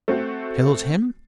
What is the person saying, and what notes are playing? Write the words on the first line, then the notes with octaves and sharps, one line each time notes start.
"Killed him?"
A3 C4 F#4